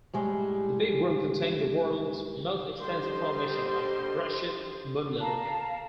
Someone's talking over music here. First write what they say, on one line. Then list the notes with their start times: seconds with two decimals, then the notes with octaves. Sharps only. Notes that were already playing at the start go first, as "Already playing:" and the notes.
The Big Room contains the world's most extensive formation of brushite moonmilk.
0.13 A2 G3 G#3
2.78 D3 G3 C5 D#5 C6
5.20 F5 A5 A#5